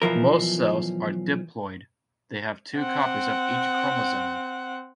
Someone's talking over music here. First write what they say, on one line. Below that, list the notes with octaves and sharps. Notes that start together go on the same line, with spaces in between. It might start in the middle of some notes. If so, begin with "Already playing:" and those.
Most cells are diploid; they have two copies of each chromosome.
B1 E3 F3 A#4
C4 F#5